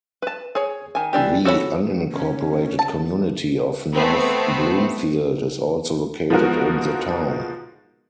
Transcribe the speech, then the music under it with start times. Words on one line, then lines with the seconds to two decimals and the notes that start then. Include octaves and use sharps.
The unincorporated community of North Bloomfield is also located in the town.
0.22 B4 A5
0.55 G#4 C#5
0.95 D#3 G#5
1.13 E3 D4 G4
1.45 F#4 A4 C#5 F5 B5
2.12 C#4
2.79 A5
3.92 A3 B3 C4
6.30 F3 G#3 B3 D#4 F#4 A#4